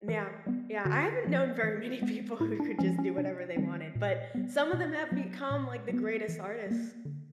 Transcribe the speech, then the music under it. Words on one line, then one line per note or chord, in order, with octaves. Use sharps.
Yeah. Yeah, I haven't known very many people who could just do whatever they wanted, but some of them have become, like, the greatest artists
E3 A#4
G3 B3
D3 F#4
F3 A#3
E3
G#3 B3
A2 E4
D4
F3 G#3 C#4
C#4
C3 D4
D#3 G3 C4 D#4
A#2
G3 B3
B2
F#3 B3
A#2
F#3 B3
E3
G3 A#3
D3